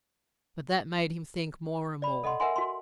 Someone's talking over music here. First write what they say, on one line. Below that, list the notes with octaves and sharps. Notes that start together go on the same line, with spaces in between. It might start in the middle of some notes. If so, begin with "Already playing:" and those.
But that made him think more and more.
D5 B5
A4 D#5 F#5 C6
A#4 E5 F#5 G#5 C6
F#4 C6